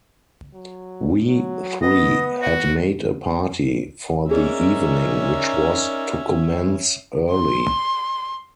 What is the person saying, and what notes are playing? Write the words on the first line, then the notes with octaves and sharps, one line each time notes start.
We three had made a party for the evening, which was to commence early.
F#3
F#3
B3 D#5
F#4
C#4 D#4 G#4 A#4 D5 E5
C6